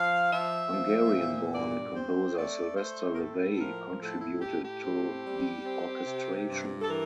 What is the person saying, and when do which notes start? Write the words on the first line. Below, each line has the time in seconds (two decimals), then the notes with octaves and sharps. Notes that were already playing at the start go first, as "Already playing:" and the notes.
Hungarian-born composer Sylvester Levay contributed to the orchestration.
Already playing: F3 F5
0.31 F3 E5
0.72 F3
1.13 A#2
1.54 G2 D5
1.96 C4 C5
2.36 A3 D5
2.77 A3 C5
3.12 A#4
3.19 A2 A4
3.55 A4
3.59 F3 A#4
4.00 A2 A4
4.21 E4
4.41 A2 G4
4.63 G4
4.83 C4
5.24 G3
5.65 C4
6.06 C3
6.48 G2
6.82 A4
6.89 E3 A#4